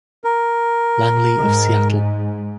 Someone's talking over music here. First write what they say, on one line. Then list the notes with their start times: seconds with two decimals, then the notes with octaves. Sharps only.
Langley of Seattle.
0.24 A#4
1.37 G#2